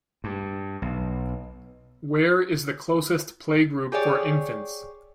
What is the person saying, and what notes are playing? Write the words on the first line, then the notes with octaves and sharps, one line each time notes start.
Where is the closest playgroup for infants?
G2
B1
G4 G#4 C#5 D5